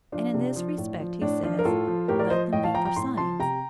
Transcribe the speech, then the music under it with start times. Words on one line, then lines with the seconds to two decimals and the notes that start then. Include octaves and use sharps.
And in this respect he says: "Let them be for signs."
0.12 F3 D4 F4
0.34 C3
0.56 F3
0.78 A2
1.00 F3
1.22 A2 D4
1.43 F3 D4 F4
1.59 A#4
1.65 A2 F4 A4
1.87 F3
2.08 A2 G4 A#4
2.19 A#4 D5
2.30 F3 C5 D#5
2.53 A2 D#5 G5
2.64 F5 A5
2.74 F3 G5 A#5
2.85 G5 A#5
2.96 A2 C6
3.17 F3 A5 C6
3.39 C3 G5 A#5